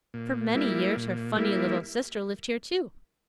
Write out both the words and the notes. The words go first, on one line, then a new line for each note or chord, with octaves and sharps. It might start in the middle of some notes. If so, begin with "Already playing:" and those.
For many years her funny little sister lived here, too.
A#2
G3 A#3 E4
A#2
G3 A#3 E4